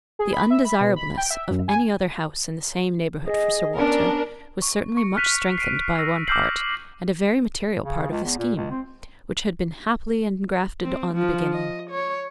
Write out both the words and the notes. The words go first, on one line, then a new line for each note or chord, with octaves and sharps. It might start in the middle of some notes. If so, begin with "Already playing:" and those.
The undesirableness of any other house in the same neighbourhood for Sir Walter was certainly much strengthened by one part, and a very material part of the scheme, which had been happily engrafted on the beginning.
G#4
B5
E5
B5
B2
B5
G5
E5
F#2
G#5
G#4 D#5
B3 C#4 D4 A#4
C#6
C#6 C#7
F6 F#6 B6 D#7 F7
C7 D7 D#7
E6 A#6
D6 E6 F6 G6 C7 F#7
C#3
C#2
E2
A#2
C#2
C4
C4
F3
D#5
C#5